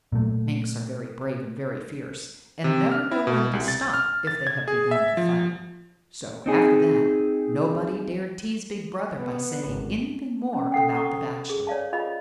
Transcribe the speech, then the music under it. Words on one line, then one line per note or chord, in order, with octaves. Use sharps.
Minks are very brave and very fierce, and never know when to stop if they have begun to fight; so, after that, nobody dared tease Big Brother by saying anything more about the Bachelor.
A#2 F#3 A3
C3
F6
E4
B2
C2
A6
F6
A6
G#6
G#4
E5
F3
C4 D#4 G#4
B3
G#1
C#4
A4 F#5 G5
A4 F#5 A#5 C#6 D#6
G#4
C#5 D5 F5 A5
F4 G#4 D#5 F5 B5